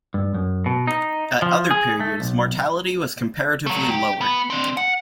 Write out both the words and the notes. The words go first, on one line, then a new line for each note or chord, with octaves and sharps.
At other periods, mortality was comparatively lower.
G2
F#2
B2
D#4
F3
G#4
A3
B1
F#3 A3
G4
B3
C4 D4
F#5